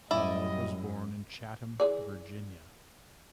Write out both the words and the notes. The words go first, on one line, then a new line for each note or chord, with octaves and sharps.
Hall was born in Chatham, Virginia.
F#2 G3 E4 D5 D#5
E3 G#4 D5